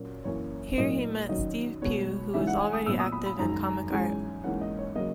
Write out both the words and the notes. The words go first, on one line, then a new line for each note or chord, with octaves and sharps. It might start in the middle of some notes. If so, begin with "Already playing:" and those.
Here he met Steve Pugh who was already active in comic art.
Already playing: A#2 F#3 A#3 C#4
F#2 E3 A#3 C#4 C#5
A#2 F#3 A#3 D#4 D#5
D#3 F#3 C#4 D#5
B2 G#3 B3 C#5
C#3 E3 G#3 D#4 E5
F#5
G#5
D#6
A#2 F#3 B3 E6
D#6
B5
B5
F#2 D#3 G#3 D#4 A#5
G#2 E3 G#3 C#4 G#5
G#2 E3 A#3 C#4 F#5
D#5
C#5
C#3 F#3 A#3 D#5